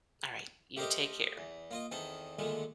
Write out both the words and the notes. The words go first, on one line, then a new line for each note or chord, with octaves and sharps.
Alright, you take care.
A3 G4 A#4 C5 D5 D#5
E2
A#3 F4 D#5
E2 D#3 C4 A4 D#6
A#2 D3 D#3 G#3 A3